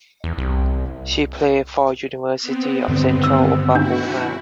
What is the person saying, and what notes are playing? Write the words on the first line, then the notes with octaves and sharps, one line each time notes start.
She played for University of Central Oklahoma.
E2
C2
B3 C4
G2 D3 D#3
E6
D4 E4 F#4